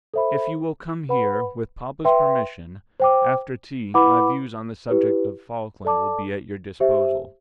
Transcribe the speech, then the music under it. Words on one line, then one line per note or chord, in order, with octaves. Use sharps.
If you will come here--with papa's permission--after tea, my views on the subject of Falkland will be at your disposal.
A4 C5 E5 B5
B4 F#5 B5
B4 E5 G5 C6
C5 G5 D6
E4 B4 F#5 B5 D6
E4 G4 B4
A4 D5 A5 D6
G4 C5 E5